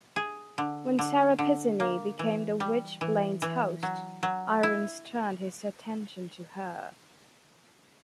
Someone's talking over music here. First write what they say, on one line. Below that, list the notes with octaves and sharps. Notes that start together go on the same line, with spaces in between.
When Sara Pezzini became the Witchblade's host, Irons turned his attention to her.
G#4
D3
D3
D3
A#3
E3
G3
E3
E3
F#3
F#3
E4